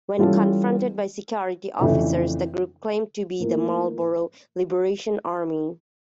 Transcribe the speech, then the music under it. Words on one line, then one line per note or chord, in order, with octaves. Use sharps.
When confronted by security officers, the group claimed to be the Marlborough Liberation Army.
E3 G3 C#4 F4 A4
F2 C#3 E3 A3 D4
A2 F3 A#3